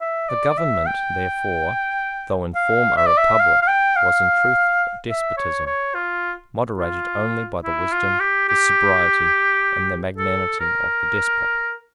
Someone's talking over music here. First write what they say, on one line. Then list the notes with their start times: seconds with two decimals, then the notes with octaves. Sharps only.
The government, therefore, though in form a republic, was in truth a despotism, moderated only by the wisdom, the sobriety, and the magnanimity of the despot.
0.01 E5
0.29 D5
0.50 D5
0.57 E5
0.86 G5
2.55 F5
2.97 E5
3.07 D5
3.17 E5
3.40 F5
3.62 F5
3.67 G5
3.96 F5
5.10 E5
5.37 C#5
5.66 C#5
5.94 F4
6.78 F4
7.64 E4
7.92 F4
8.20 G4
8.48 G4
10.17 A4
10.60 A#4